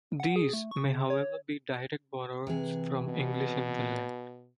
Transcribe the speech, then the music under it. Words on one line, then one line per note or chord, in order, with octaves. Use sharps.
These may, however, be direct borrowings from English in Finland.
F#5
G#4
A3
C#6
C#3
C#5
C3 E3 G#4
B2